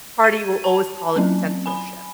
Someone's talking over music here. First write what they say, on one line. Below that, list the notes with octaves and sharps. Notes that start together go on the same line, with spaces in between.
party will always call it censorship
G#6 D#7
A5
F#3 C4 C#4
G#5 B5